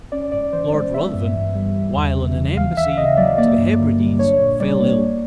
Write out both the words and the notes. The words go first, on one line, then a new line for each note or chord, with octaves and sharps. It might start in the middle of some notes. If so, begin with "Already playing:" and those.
Lord Ruthven, while on an embassy to the Hebrides, fell ill.
C#4 D5
G#2 D5
E3 C5
G#3 D5
B3 E5
G2
E3
G3
G3
E2
C#3
E3
D#2 F5
D#2 E5
C#3 D#5
F#3 D5
A#3 D5
G2
D3
G3
D4 C#5
A#2
G3 D5
A#3
A#3